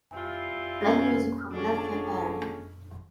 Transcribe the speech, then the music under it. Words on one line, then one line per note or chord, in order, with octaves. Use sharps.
Play music from Lastfm.
E3 G3 C4 F4
C#4
D3 F3 G#3 C#4 D4